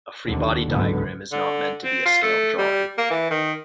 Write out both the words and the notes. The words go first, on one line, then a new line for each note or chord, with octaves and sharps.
A free body diagram is not meant to be a scaled drawing.
D#2 D3
F#1 C#2 G#2 D3 B3
D3
C4
F4
A3
G3
A#3
E3
D#3